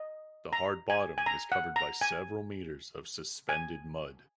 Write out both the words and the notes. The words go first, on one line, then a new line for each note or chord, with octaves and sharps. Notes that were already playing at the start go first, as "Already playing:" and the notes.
The hard bottom is covered by several meters of suspended mud.
Already playing: D#5
A#5
G#5
G#5
A#5
F#5
A#5
G#5
G#5